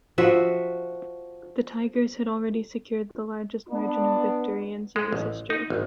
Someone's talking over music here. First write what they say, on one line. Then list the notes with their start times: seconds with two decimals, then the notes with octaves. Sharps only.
The Tigers had already secured the largest margin of victory in series history.
0.18 F3 F#4 E5
3.71 B3 D4
4.96 G#3
5.12 A1
5.50 D#4
5.70 G#1